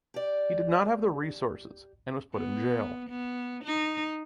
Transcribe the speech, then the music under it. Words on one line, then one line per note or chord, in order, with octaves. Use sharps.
He did not have the resources and was put in jail.
G4 D5
B3
B3
D#4